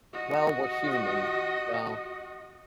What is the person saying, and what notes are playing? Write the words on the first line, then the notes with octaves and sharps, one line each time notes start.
Well, we're human, so
F#4 D#5